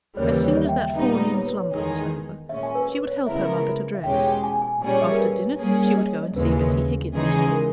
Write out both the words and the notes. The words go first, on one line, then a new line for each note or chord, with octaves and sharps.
As soon as that forenoon slumber was over, she would help her mother to dress after dinner, she would go and see Bessy Higgins.
D#2 C#3 E3 G3 A#3 C#5
B4
C#5
D#5
E5
G5
E5
A#2 G3 B3 D#4
C#5
B4
C#5
E2 D#3 G#3 D#4 G#4
A#2 G#3 C#4 E5
G#5
B4
B4
C#5
C#3 G#3 B3 E4 A#4 E5
E5
E2 B2 G#3 C#4 G4 G5
G5
G#5
G#5
A#2 G3 C#4 G#4 C#5 G#5
E5
A#4
B4
G3 A#3 C#4 G#4
D#5
D#5
D#2 C#3 E3 G#3 B4
B4
C#3 E3 G#3 D#4 G#4
A#4